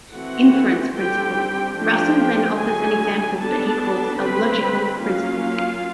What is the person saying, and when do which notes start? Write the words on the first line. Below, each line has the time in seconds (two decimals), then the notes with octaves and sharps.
Inference principle: Russell then offers an example that he calls a "logical" principle.
0.12 E3 A3 C4 F#4 F#5
0.93 D3 G3 C4 G4 G5
1.76 F3 A3 D4 G4 G5
2.57 D3 F#3 A3 G#4 G#5
3.38 G3 B3 D4 A4 A5
4.19 D3 G3 C4 B4 B5
5.01 F#3 A#3 C#4 F4 F5